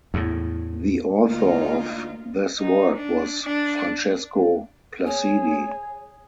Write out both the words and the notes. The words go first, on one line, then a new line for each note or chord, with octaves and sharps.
The author of this work was Francesco Placidi.
E2 A2
D2 D3 A#3 D#4 F4
D#4
D4
D4
G#4 C#5